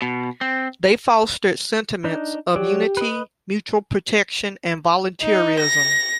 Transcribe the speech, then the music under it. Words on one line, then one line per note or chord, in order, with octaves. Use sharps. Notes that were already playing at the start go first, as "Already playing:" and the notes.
They fostered sentiments of unity, mutual protection, and volunteerism.
B2
C4
D4 D#4
F#3 G4 D5
B4 D#5
D#4
A#6